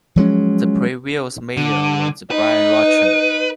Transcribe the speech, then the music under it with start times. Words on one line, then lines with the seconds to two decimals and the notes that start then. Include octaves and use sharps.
The previous mayor was Brian Roczen.
0.16 F3 F#3 G#3 C#4
1.57 D3
2.31 D#4 B4